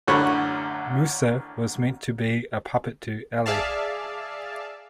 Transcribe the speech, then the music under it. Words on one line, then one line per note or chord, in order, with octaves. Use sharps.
Musa was meant to be a puppet to 'Ali.
A1 F#2 D3 C#5 F#5 B5
G#4 D5 E5 F5 A5